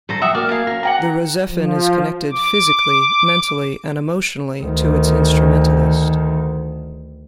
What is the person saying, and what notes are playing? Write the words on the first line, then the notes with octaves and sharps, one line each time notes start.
The RahXephon is connected physically, mentally, and emotionally to its instrumentalist.
D3 D#3 G3 A4 C5 A#5
F#3 G#3 E5 F#5 D#6
A#3 F#4 A#4 D5 F6
F5 G#5 A5
C#4 F#4 A#4
F#5 G5 A#5
F3
D6
D2 D#3